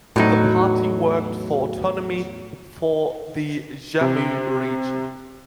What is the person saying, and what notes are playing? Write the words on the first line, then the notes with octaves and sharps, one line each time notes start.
The party worked for autonomy for the Jammu region.
E2 A2 F#3 D#4
C3